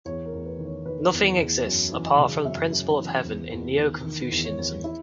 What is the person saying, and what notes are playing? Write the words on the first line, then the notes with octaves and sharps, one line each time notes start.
Nothing exists apart from the Principle of Heaven in Neo-Confucianism.
E2 C#5
A#4
E2
B4
D#3
C#5
D#3 B4
E2
E2
F#2
E3
D#5
C#3
F#2 E5
F#2
E3
E2
E2
D#3
D#3
E2
C#5
E2
E4